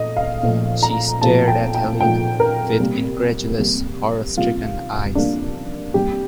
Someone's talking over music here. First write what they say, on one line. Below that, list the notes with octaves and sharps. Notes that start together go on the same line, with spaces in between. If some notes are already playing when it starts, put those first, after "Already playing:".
She stared at Helene with incredulous, horror-stricken eyes.
Already playing: A#2 A3 D#5
F5
A#2 F3 A3
A#5
A#2 F3 A3 A5
G5
G5
A#2 F3 A3 G5
A#4
C3 G3 A#3
C3 G3 A#3
C3 G3 A#3 F4
C3 G3 A#3 D4
C3 G3 A#3 G4